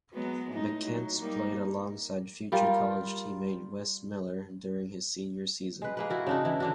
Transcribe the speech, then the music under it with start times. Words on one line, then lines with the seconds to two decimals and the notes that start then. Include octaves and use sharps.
McCants played alongside future college teammate Wes Miller during his senior season.
0.13 F#3 G#3 B3
0.50 A2 D#4
0.83 F#3
1.20 G3 A#3 D#4
2.52 G3 F4 A#4
5.82 G#3 B4
5.97 G#3 A#3 B4
6.10 E4 F#4 A#4
6.27 C#3 D4 D#4
6.45 E3 E4
6.60 D3 D4 F#4